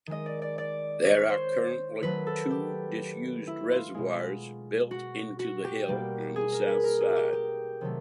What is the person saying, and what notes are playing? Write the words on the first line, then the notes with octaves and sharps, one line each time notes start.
There are currently two disused reservoirs built into the hill on the south side.
D#3 G#3 D#5
D5
D5
D5
C#5
C5
D#3 F#3 A3 B4
A4
G4
E4
F4
B2 G#3
F#4
F#4
G4
B2 G3 A#3
G#4
A#4
B4
A#4
G#4
F#4
G4
G4
C3 D#3 F#3 A3